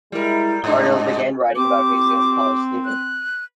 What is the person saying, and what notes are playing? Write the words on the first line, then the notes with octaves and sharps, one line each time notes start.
Arnold began writing about music as a college student.
G3 G#3 E4 A#4
G#2 G#3 D4 D#5
C4 G4 D6
F#6